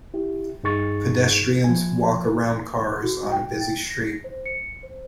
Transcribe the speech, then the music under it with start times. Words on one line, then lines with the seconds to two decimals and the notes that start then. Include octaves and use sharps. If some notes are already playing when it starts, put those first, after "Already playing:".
Pedestrians walk around cars on a busy street.
0.14 E4 G4
0.63 G2 D#4 G#4 C#6 A6
1.64 F3 G#5
3.03 F#4
3.32 G5
3.61 A6
3.90 A#6
4.24 C5
4.46 C#7
4.83 C5